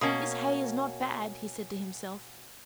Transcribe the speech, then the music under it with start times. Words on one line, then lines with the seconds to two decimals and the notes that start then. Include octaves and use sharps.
"This hay is not bad," he said to himself.
0.01 B2 A#3 C#4